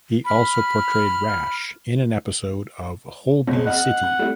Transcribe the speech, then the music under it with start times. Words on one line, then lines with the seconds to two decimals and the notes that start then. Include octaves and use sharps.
He also portrayed Rash in an episode of "Holby City".
0.26 B5 F6
3.47 F#1 C#2 C#4
3.67 D#5 F#5 F6
4.03 F#6
4.19 G3 A3 E4